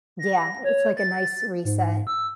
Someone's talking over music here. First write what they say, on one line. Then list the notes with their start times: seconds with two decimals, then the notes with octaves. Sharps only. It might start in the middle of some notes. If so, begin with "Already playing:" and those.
Yeah, it's, like, a nice reset
0.19 A#6
0.64 C#5
0.97 A6
1.64 G#2
2.07 E6